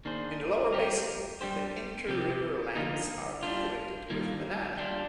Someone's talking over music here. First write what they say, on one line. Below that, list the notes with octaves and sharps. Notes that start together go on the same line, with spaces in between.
In the lower basin, the inter-river lands are cultivated with banana.
D#3 A#3 D4 G#4 C5
G3 C4 G4 A#4
G3 D4 G4 C5
C3 F3 C4 G4
D3 F3 A#3 D#4
G3 D4 F4
G2 D#3 G3 A#3 F4
G3 D4 F4